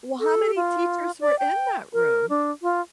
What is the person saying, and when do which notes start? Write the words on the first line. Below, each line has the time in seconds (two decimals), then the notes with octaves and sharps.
Well, how many teachers were in that room?
0.20 A4
0.56 F4
1.21 D5
1.39 G5
1.93 A#4
2.29 D4
2.62 F4